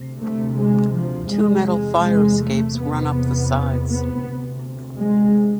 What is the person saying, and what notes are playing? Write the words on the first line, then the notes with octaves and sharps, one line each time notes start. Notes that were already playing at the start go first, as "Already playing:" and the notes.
Two metal fire escapes run up the sides.
Already playing: D2 C3
A3
G#3
F3
E2 C3 G#3
G#3
G#3
A3
E2 C3 B3
B3
D2 C3
G#3